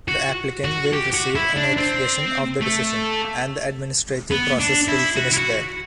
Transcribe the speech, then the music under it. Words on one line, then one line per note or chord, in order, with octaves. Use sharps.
The applicant will receive a notification of the decision, and the administrative process will finish there.
F#4
F#4
G4
F#4
E4
D4
C4
A3
B3
D4
E4
F#4
E4
F#4